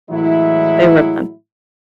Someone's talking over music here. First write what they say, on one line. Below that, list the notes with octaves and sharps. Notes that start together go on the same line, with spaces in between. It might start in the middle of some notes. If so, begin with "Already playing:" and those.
They were fun.
A2 E3 F#3 G#3 E4